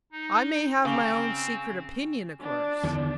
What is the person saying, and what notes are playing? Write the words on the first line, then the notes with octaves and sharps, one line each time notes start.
I may have my own secret opinion, of course.
D#4
C#3 C4 G#5 C#6 F7
D4
E2 D3 D#3